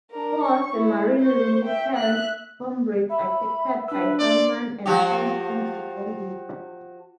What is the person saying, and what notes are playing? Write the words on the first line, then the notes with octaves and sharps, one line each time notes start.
Four of the marine lieutenant's comrades are captured by Hellman and turned into zombies.
D4 A#4
C#6
E4
C5 C#6
E5 G5
E5 F#6
E5 B5
D4 B4 E6
D5 C6
F3 F#4 G4